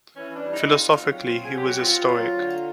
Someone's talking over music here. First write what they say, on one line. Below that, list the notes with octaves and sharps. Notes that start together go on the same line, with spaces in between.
Philosophically he was a Stoic.
E3 C#4
D4
G3
D#4
C4 F4
F#3
C4
G#4
F#3 G4
F#4
C4 F4
F#3
D3